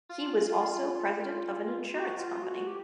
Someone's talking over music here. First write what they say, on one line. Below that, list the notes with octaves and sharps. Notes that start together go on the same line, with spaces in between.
He was also president of an insurance company.
F4
F4
F#4
F4
F#4
G4